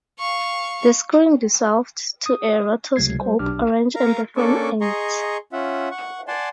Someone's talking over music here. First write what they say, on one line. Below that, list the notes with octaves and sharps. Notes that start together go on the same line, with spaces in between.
The screen dissolves to a rotoscope orange and the film ends.
F5 C#6
D#6
C#2 C3 F#3 A3 G#6 C7
G3 C5
B1 D4 G4 D6 F6
A#4 F5 A#5
A#3 C#4 D4 A4 C#6 D6
G#4 D#5 A#5 C6 C#6
C#4 F4 E5 F#5
F#5 C#6
D5 F#5 G#5 A5 C6